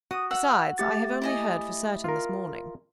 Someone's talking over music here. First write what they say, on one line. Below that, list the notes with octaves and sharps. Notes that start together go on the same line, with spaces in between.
"Besides, I have only heard for certain this morning."
F#4 D#6
F#5 E6
A3 G4 A6
E4 D#5 G#5
F4 A#4